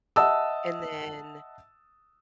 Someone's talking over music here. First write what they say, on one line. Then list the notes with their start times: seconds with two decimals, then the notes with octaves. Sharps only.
And then
0.16 D#5 E5 F#5 A5 D#6 E6